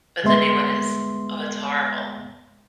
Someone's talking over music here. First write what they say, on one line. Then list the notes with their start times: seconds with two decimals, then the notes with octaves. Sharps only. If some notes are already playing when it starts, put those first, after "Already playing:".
But the new one is Oh, it's horrible.
0.23 D2 G2 G#3 B3 E5 C6